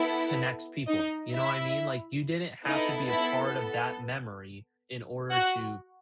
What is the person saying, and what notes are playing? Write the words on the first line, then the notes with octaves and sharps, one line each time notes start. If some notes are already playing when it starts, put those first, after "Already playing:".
connects people, you know what I mean? Like, you didn't have to be a part of that memory in order to,
Already playing: B3 E4 A4
D#4 D#5
E4 E5
B3 D#4 E4 A4 D#5
E4 E5
F#4 F#5